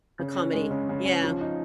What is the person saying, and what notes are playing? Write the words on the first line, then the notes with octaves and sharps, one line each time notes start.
A comedy. Yeah.
C#3
C#4
G#3
C#3
C#3
C#4
F3
D#4